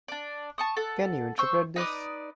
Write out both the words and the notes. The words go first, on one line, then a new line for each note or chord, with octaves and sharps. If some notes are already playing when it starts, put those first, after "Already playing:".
Can you interpret this?
D4 D5
A5 C#6 D#6
A4 F#5
C5 C#6 E6
D#4 B4 D5 D#6